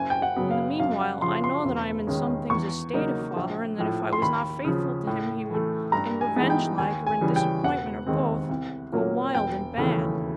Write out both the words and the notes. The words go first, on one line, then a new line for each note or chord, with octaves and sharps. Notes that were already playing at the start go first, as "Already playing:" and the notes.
In the meanwhile I know that I am in some things a stay to father, and that if I was not faithful to him he would--in revenge-like, or in disappointment, or both--go wild and bad.'
Already playing: F#1 G#5
G5
F#5
F#2 C#3 F#3 B3
F5
F#2 F5
F#5
C#3 F3 C6
C6
E1
D#2 D#3 G#3 C#4
E2 C#6
C#3 F#3 A#3 D#4
A#1
A2 F3
C6
D#2 B5
C#3 F3
A2
E3 A3
G2 A#5
G#5
E3 G#3 B3 D#4
G5
D#2 G#5
G#5
C#3 E3 G3
G5
E1 F#5
D#2 D#3 G#3 C4
C2
A#2 F#3 A#3 C#4
E1 G5
D#2 C#3 E3 A3